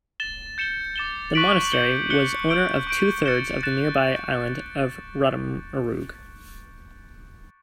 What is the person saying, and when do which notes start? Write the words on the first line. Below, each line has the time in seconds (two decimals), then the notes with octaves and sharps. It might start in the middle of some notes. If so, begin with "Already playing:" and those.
The monastery was owner of two-thirds of the nearby island of Rottumeroog.
0.20 A6 E7 G7
0.58 G6 C#7 E7 G7
0.96 D6 A6 E7 G7
1.34 C#6 F#6 B6 D7 F#7
1.72 G6 C#7 G7
2.10 F#6 C#7 G7
2.49 G6 D7 G7
2.87 C#6 G6 D7
3.26 A6 C#7 E7 G7
3.63 F#6 A6 E7